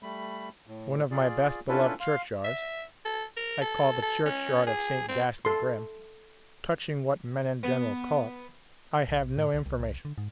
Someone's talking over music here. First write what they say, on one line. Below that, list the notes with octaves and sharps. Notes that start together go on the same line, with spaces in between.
One of my best beloved churchyards, I call the churchyard of Saint Ghastly Grim; touching what men in general call it, I have no information.
G3 A3 B5
A2
F4 G#4 D5
C#4 D4 E4 F4 A4 B4
F5 C6
E5
A4
A#4
A4
A4
C#4
G#4
C4
A4 C6
B3
B1
A#1
A2
C2
C2
C2
D3
G#2